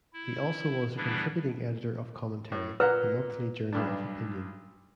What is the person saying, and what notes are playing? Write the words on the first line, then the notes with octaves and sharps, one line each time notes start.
He also was a contributing editor of Commentary, the monthly journal of opinion.
E4
C#3 E3 G3 B3 D4 E4
A2
A#2 B4 F#5 A#5
B1 G2 D4